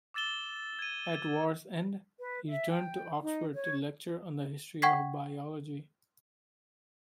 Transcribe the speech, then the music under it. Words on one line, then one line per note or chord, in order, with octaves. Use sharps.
At war's end, he returned to Oxford to lecture on the history of biology.
D6 E6 A6 E7 G7
G#6 D#7
B4
E5
G5
D#4
C#5
F#5 G5 C#6 G#6 B6 C7